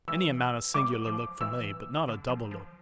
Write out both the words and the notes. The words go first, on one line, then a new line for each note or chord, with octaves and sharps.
Any amount of singular look for me, but not a double look!
E3 E6
G3 D6
F3
E3 E6
D3
F3
F3